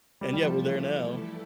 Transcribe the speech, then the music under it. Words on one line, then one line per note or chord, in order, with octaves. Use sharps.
And yeah, we're there now.
E3 G3 A3 E4 A4
G3
F3